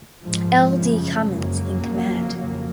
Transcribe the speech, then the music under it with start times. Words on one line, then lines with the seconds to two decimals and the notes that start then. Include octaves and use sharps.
L. D. Cummins in command.
0.23 G#2 F3 G#3
0.77 F#2 C#3
1.30 F#2 C#3 F#3 A#3
1.83 F2 C#3
2.36 F2 C#3